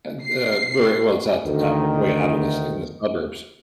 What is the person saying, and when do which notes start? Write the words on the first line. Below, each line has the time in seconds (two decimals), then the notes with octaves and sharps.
uh, and, uh, very well, it's out it's out o way out of the s in the suburbs.
0.24 C7
1.45 D2 D#3